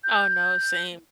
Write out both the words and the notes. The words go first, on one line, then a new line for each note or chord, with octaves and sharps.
Oh, no. Same.
G6